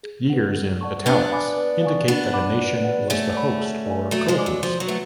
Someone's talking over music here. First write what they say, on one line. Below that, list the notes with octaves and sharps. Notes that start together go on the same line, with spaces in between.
Years in "italics" indicate that a nation was the host or co-host.
G#4
B4 F#5
A4
D5 F#5 A5 C#6
B3 D4 B4
F5 G#5 B5 D6
B4
F5 G#5 C#6
B3 D4 F4
B4 F#5 B5 D6
F#4
B4 D5 F#5
A3 C#4 G#4
D5 F#5 B5
G#4
D5 F5 G#5
F#3 A3 A4
F3 G#3
D5 G#5 D6
F#3
F3 F4
F#3
A3 B4 F#5